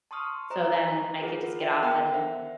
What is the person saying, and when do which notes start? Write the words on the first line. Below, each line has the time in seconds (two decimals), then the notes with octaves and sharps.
so then, I could just get off and,
0.11 A5 C6 C#6 D#6 F6
0.50 C5 D#5 A#5
1.21 F4 G#4 A#4 B4 F#5
1.60 E5 G5
1.83 B3 A#4 F#5 G5
2.12 C5 E5 F#5